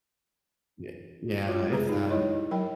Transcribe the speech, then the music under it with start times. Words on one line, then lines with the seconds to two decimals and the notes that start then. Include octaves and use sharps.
Ye yeah, if that.
1.47 G3 G#3 F4 F#4 C#5
1.71 G#3 A3 G4 G#4 B4 A#5
1.89 D#4 G4
2.10 G#3 D4 E4 C#5 D#5
2.51 F#3 A#4 G5 B5